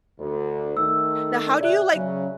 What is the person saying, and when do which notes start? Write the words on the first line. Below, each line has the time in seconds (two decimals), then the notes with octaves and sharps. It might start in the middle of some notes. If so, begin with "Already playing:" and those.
Now how do you, like,
0.20 D2
0.77 D#3 A3 E6
1.61 C3 D5 E5 F#6
1.94 C#3 F#3